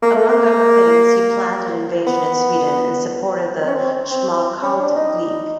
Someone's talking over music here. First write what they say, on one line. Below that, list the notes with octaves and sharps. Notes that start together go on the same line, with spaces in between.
Among other things, he planned an invasion in Sweden and supported the Schmalkaldic League.
A#3
A3
A#3
B3
C4
C#4
C4
C4
C#4
D4
D#4